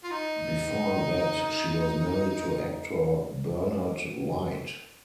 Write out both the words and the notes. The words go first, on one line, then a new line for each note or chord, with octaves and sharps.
Before that, she was married to actor Bernard White.
F4
D#4